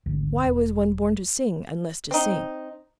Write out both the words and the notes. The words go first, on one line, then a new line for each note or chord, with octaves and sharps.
Why was one born to sing, unless to sing.
G#1 D2
E1
C4 D#4